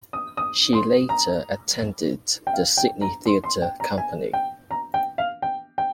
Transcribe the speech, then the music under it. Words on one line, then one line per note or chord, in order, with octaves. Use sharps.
She later attended the Sydney Theatre Company.
D#6
D#6
C6
A#5
G5
F5
G5
A#5
C6
C6
G5
A#5
G#5
G5
A#5
G5
F5
G5
G5